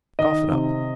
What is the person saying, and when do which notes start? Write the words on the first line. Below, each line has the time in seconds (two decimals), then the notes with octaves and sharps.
Cough it up.
0.19 D#3 D#5
0.51 C3